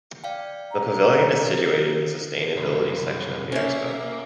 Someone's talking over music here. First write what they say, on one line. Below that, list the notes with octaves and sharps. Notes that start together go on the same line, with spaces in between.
The pavilion is situated in the "Sustainability" section of the Expo.
D5 F5 G5
A#5
C2 F#2
A#3 C#4 E5